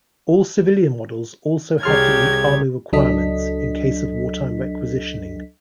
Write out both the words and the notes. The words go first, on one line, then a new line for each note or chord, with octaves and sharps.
All civilian models also had to meet Army requirements, in case of wartime requisitioning.
C2 G4 G#4 C#5 C6 F6 G#6 A6
C#2 F#3 D4 A4 D#5 B6